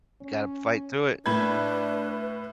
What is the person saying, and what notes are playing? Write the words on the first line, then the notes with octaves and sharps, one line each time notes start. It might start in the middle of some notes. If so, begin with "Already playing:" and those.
you gotta fight through it.
C#4
A2 D4 B4 B5 G#6